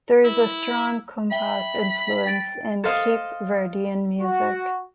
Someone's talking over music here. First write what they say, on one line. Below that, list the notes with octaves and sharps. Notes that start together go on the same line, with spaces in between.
There is a strong compas influence in Cape Verdean music.
E4
E5 G5 B5 G7
G5 A6 D7
A4 C5 D#5 F5
F#4